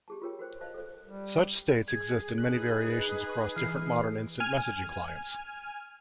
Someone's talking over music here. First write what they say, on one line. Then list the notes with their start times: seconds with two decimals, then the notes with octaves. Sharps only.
Such states exist in many variations across different modern instant messaging clients.
0.08 G4 G#4 A5
0.22 F4 G4 A#4 C#5 G5
0.39 F#4 A#4 C5 G5
0.61 C5 D#5 F5 A5
0.74 A4 C5
1.05 G3
1.88 G#4 G#6
2.38 D#4 G#4 B4 F#6
3.56 E3 F6 C7
4.40 G#5 F6